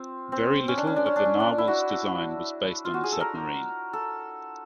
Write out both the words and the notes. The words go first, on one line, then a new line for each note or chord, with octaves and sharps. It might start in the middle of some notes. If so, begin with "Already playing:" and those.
Very little of the "Narwhal"s design was based on the submarine.
Already playing: C4 F4
C4
C#4
D4
C#4
D4
C#4
D4
C#4
D4
E4
F#4
F4
F#4
G#4
A4
A#4
A4